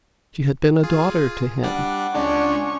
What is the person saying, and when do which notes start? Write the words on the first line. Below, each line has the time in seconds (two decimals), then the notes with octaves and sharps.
She had been a daughter to him.
0.83 F4 G#4
1.63 G3 D4 D5 F#5
2.15 C#2 C#3 G#3 C#4 D4 C#6